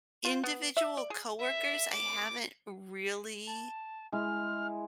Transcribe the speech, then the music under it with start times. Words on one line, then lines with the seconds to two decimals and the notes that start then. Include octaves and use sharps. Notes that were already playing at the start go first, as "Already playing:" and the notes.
individual coworkers, I haven't really
0.25 F4
0.44 B3
0.77 E5
0.97 D5
1.10 G#4
1.40 E5
1.94 D6
3.47 A5
4.12 G#3 E4 F6